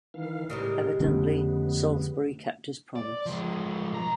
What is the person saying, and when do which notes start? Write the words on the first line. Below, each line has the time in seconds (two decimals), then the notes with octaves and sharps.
Evidently Saulsbury kept his promise.
0.14 D#3 E3 F5
0.50 A2 C#3 G3 G#3 A#4
1.00 F2 D3 A3 B3 C#4
2.96 D5
3.26 F3 G#3
3.92 B1 A#5